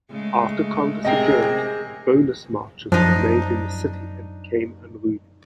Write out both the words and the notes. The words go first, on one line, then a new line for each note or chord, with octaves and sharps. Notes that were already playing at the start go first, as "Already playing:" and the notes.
After Congress adjourned, bonus marchers remained in the city and became unruly.
C#3 G#3 A3
C3 G#4 A#4 D#5 G5 C7
F#2 F3 D4 D#4